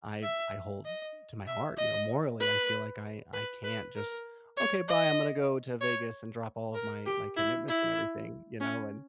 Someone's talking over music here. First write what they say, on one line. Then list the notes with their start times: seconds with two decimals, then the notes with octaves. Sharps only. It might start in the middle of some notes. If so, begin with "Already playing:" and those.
I I hold to my heart, you know, morally, I feel like I I can't just, "Okay, bye, I'm gonna go to Vegas and drop all of my my commitments and everything," you know, and
0.23 E5
0.85 D#5
1.47 E5
1.78 D#5
2.41 B4
3.33 B4
3.64 B4
3.95 A#4
4.57 C#5
4.88 D#5
5.81 C#5
6.75 A#4
7.06 G4
7.37 E4
7.68 E4
8.61 C#4